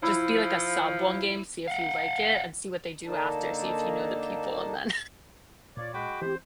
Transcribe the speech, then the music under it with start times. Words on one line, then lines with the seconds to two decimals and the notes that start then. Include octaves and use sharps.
just be, like, a sub one game, see if you like it, and see what they do after, see if you know the people, and then
0.02 F3 E4
1.67 F5 F#5
3.06 D3 A#3 D4 D#4 A4 A5
5.77 A#2 F4 C#5 D5
5.94 G#3 F#4 G5 B5 D6
6.22 E3 C4 G4 C5